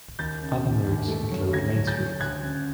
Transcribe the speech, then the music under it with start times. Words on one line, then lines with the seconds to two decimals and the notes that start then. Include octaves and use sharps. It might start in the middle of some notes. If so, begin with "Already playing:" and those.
Other routes include Main Street.
0.19 D#2 G6 A6
0.42 C#3
0.64 D#2
0.86 D#2
1.08 A3
1.32 F#3
1.53 D2 G#6 A#6
1.76 F#3
1.87 G6 A6
1.98 F#3
2.20 D2 F#6 G#6
2.42 C#3